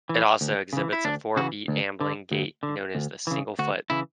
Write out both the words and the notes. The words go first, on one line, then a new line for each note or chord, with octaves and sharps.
It also exhibits a four-beat ambling gait known as the "single-foot".
E3
D2
C#3 E3
E4
D2 D4
C#3 E3 F#4
D2
D3
D2
D3
D2
C#3 E3
D2 F#4
C#3 E3 E4